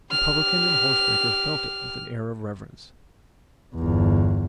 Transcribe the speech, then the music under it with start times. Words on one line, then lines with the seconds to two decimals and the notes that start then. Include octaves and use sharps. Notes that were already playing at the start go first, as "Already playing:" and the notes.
The publican and horse-breaker felt it with an air of reverence.
0.11 G4 F6
3.75 G1 E2